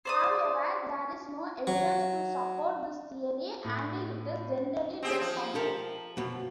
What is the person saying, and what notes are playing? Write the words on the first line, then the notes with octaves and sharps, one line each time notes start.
However, there is no evidence to support this theory and it is generally discounted.
C5 D5 D#6
F#3
A2
C4 G4 G#4
F3
G4 A4 A#4
F#2 B2